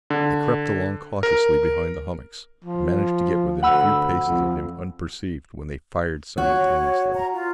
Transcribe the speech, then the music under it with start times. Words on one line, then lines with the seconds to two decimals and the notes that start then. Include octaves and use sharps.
They crept along cautiously behind the hummocks, and managed to get within a few paces of him unperceived, when they fired simultaneously.
0.10 D3
1.23 A#4
2.65 F3
3.63 D2 F#5 B5 E6
4.24 F2
6.38 F#4 C#5
7.14 A#5
7.33 F4